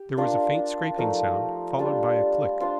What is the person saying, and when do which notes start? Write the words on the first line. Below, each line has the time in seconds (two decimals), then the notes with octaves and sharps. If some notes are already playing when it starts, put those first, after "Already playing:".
There was a faint scraping sound, followed by a click.
Already playing: G4
0.17 D4 F4 A#4
0.98 F3 A3 D#4 A#4
1.79 G3 D4 F4
2.61 D4 F4 C5 F5